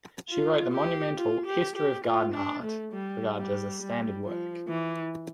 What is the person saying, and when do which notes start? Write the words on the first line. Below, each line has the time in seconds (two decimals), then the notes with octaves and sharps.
She wrote the monumental "History of Garden Art", regarded as a standard work.
0.29 F4
0.73 G4
1.17 F4
1.46 G4
1.76 G4
2.04 F4
2.34 D4
2.63 A3
2.93 G3
3.36 G3
3.81 G3
4.24 F3
4.68 E3